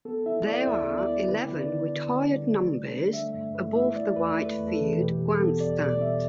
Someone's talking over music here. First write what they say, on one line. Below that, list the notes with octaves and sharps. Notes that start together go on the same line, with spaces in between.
There are eleven retired numbers above the right field grandstand.
B3 A4
E4 E5
E4 D5
D2 E5
B3
D5
E4
D3 B4
D3
D5
D3
D3
D3
G3
A3
D3
D4
A3 E5
G2
A3 B4
E4 E5
A3 D5
E2 B4
A3 B4
E2
A4
E3
B2 G4
E2
A4
B3
E2 D5
B2 D5
E2 E5